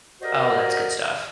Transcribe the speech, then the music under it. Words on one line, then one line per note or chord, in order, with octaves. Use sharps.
Oh, that's good stuff.
F#4 G4 A#4 C5 D5 D#5